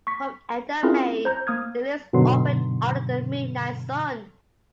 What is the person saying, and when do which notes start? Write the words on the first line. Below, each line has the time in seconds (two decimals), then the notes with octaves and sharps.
From end of May the lifts operate under the midnight sun.
0.07 C#6 B6
0.83 C4 C#4 E4 F4 G#4 A#4
1.25 C5 A#5 G6
1.47 A#3 D#6 F6 G#6
2.13 G2 B2 D3 D#3 F#3 C6